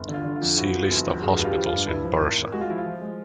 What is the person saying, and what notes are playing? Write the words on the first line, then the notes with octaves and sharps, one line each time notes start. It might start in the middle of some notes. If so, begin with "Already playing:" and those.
See List of hospitals in Bursa.
Already playing: G1
D3
F4
D3
F4
F2
F3 E4 F#4
F3
G1
F2
G2 F#4 G#4
G2
F4 G4
F3
F4
G2
G2 E4
F3
G#1
G#1
G#3 F#4
F4
F3 E4
F4
F3
G#3